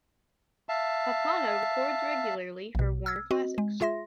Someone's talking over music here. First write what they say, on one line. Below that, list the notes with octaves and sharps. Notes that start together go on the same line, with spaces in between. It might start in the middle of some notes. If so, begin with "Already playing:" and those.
Pappano records regularly for Warner Classics.
E5 F5 A5
A#1 B2
E6 F6 G#6
C4 F#4 D#5
G#3
F4 G#4 E5 C6 A#6